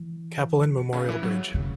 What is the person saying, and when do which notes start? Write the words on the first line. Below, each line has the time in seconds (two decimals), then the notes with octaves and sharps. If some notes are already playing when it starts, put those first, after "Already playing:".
Cappelen Memorial Bridge.
Already playing: E3
0.77 B2
0.93 C#3
1.09 E3
1.23 F#3
1.54 C#3